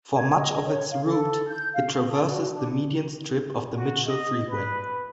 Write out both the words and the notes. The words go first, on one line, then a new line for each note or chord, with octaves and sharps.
For much of its route, it traverses the median strip of the Mitchell Freeway.
G#6
D#5
C#5
F5
A4
G6
F5
A4
F#4
D4
F#4
D#5
B4